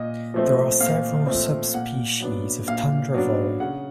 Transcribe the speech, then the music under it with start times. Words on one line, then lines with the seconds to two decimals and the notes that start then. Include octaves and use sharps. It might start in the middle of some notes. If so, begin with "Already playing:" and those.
There are several subspecies of tundra vole.
Already playing: A#2 D#5
0.34 F3 A3 C4
0.80 A#2 F5
1.26 F3 A3 C4
1.74 A#2 F#5
2.20 F#3 B3 D4
2.68 A#2 F5
3.14 F#3 B3 D4
3.60 C#3 F#5